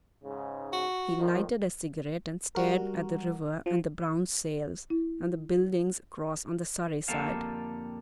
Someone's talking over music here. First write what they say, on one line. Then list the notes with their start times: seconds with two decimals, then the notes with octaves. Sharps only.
He lighted a cigarette and stared at the river and the brown sails, and the buildings across on the Surrey side.
0.23 G#2 C#3
0.73 F#4
1.19 F2 A#2 D#3 F3
2.55 G3 F#4 A#4
3.66 F3
4.90 E4
7.08 F2 D3 A#3 G4 A4 F5